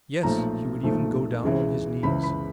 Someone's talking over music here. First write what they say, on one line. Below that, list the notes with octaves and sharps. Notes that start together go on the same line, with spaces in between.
"Yes, he would even go down on his knees."
B1 A#2 F3 A3 A#5
B1 A#2 F3 A3
C#2 C#3 E3 G#3
C#2 C#3 E3 G#3 B5
B5